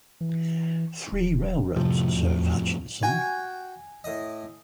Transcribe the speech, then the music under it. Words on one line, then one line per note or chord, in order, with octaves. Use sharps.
Three railroads serve Hutchinson.
E3
D#1
F2 A2 C3 F3
E2
F#4 G5 G#5
A2 D#5